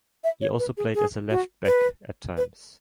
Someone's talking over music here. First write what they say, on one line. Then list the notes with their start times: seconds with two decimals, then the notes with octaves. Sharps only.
He also played as a left-back at times.
0.24 E5
0.41 C#5
0.59 B4
0.77 G#4
0.94 G#4
1.30 F#4
1.66 B4
2.37 B4